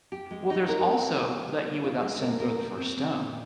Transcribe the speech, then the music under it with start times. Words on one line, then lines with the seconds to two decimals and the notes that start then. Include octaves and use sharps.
Well, there's also “Let you without sin throw the first stone,”
0.12 G4
0.31 G#3
0.50 D#4
0.68 A#4
0.88 C4
1.08 G#3
1.27 G#3
1.44 G3
1.65 A#3
1.83 F4
2.02 G#3
2.21 A#4
2.40 A#4
2.59 C4
2.78 C4
2.97 C4
3.17 A#2